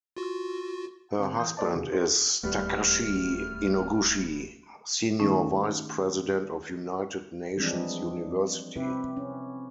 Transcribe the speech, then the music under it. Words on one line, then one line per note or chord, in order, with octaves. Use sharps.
Her husband is Takashi Inoguchi, senior vice president of United Nations University.
F4 F#4
D3 C4
E3 D#6 G6
A#3 C4 C5 D5 D#5 A5
C3 D#3 F#4 G#4
C5
D1 D#2 G3 A3 B3 F6
D#3 A3 C#4 D#4
E3 F3 G3 G#3 C4 D4
C3 C4 E4 G4 B4
C#4